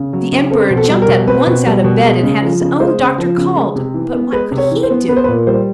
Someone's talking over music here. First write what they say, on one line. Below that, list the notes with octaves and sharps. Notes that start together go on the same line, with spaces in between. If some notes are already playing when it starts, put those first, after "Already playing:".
The Emperor jumped at once out of bed, and had his own doctor called; but what could he do?
Already playing: C#3
F#3
C#3
C4 A4
B2
A4
G3
A#4
B2
C4 B4
B2
G3
B2
G#3
C#3
F3
C#3
G#3 C5
C#3
F3
C#3
G#3
C3
E3
B3
G#3 B4
C3
C#5
E3
C5
B3
B3 B4
C5
B4
A#2
G3 C5